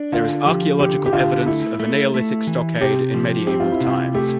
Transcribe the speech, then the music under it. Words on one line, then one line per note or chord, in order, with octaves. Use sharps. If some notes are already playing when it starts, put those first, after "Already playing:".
There is archaeological evidence of a Neolithic stockade in medieval times.
Already playing: D4
D3 F4
F3 G4
D3 G4
G4
D3 F4
A3 E4
A3
A3
E3
C3 G4
F3
C4 G4
F4
E4
C3 F4
A3 G4